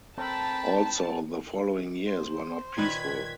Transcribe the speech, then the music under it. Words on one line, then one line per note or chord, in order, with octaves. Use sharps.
Also the following years were not peaceful.
C4 A4 A#4 G5 A5 B5
C5
A#2 D#3 B4 G#6 B6